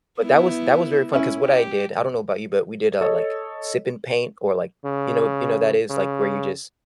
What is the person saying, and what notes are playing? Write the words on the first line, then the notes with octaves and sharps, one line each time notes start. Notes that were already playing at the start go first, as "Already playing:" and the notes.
but that was that was very fun 'cause what I did I don't know about you, but we did, uh, like, sip and paint or, like, you know you know, that is, like, where you just
B3 E4
C#4 E4
G4
A4 C#5 D#5
C#3
C#3